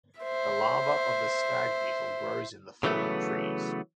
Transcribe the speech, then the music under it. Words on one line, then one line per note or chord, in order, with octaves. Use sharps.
The larva of the stag beetle grows in the fallen trees.
C5 E5
C#3 E3 F#3 A3 B3